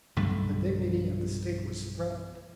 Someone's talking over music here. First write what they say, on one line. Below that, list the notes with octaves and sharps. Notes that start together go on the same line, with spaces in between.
The dignity of the State was threatened.
B1 G2 D3 A3